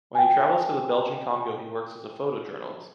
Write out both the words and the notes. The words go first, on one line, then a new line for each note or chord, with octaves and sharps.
When he travels to the Belgian Congo he works as a photojournalist.
G5 G#5